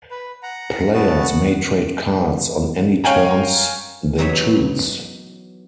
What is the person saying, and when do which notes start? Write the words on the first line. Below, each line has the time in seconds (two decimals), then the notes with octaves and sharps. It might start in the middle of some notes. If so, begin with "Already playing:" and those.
Players may trade cards on any terms they choose.
0.11 B4
0.43 F#5 A#5
0.94 A3 B3 C#4 F#4 A5
1.28 F#5
3.04 C#5 F5 G5 G#5 A#5
4.18 E3 F#3 B3 D#4 C#5 E5